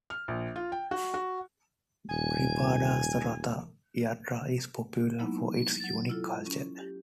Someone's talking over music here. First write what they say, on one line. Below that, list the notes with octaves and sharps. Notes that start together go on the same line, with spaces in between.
Baripada's Ratha Yatra is popular for its unique culture.
F6
A#1
F4
G5
F#4
F#4
D#1 G#5
F#3 G#3 A#3 B3 D#4 E4
F#3 A6
E4 F4 A4
C#4
G4